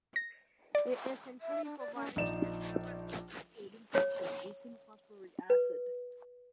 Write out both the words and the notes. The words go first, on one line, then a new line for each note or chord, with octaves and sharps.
It essentially provided an iron phosphating process, using phosphoric acid.
A#6
D5
E5
D4
D5
C#4
A#1 F3 D#4 D5 E7
C#5
B4